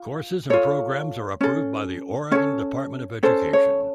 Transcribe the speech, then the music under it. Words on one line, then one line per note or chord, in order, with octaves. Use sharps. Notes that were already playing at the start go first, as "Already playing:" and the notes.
Courses and programs are approved by the Oregon Department of Education.
Already playing: F4
F4 A4 C#5
C#4 A4
C#4 A4 C#5
C#4 A4 C5
C#5